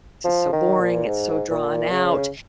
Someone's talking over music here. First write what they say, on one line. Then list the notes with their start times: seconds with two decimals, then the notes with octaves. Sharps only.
is so boring, it's so drawn out."
0.25 F3
0.53 D#3
0.80 A#2
1.08 G#2
1.51 A#2
1.92 C#3